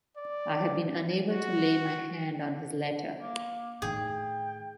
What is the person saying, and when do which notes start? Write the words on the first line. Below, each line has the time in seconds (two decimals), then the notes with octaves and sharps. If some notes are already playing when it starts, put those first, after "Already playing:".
I have been unable to lay my hand on his letter.
0.17 D5
1.31 F#4
3.20 A#3
3.82 A2 D#3 G#4 G5